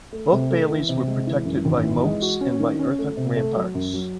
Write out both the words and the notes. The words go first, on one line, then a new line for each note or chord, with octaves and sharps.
Both baileys were protected by moats and by earthen ramparts.
A3
C3
A3
E3
C3
G#3
E3
F#2
G#1
E3
G#3
F#4
C#4
D#3
C#4
A3
C3
A3
F#3
F#2
F#3